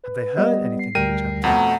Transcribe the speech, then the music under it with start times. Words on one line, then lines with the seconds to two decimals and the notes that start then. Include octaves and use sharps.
Had they heard anything of each other?
0.04 B4
0.37 G3 B3 D#5
0.79 C7
0.95 D2 G3 A#4 G5 D#7
1.44 F2 B2 A3 F#5 A#5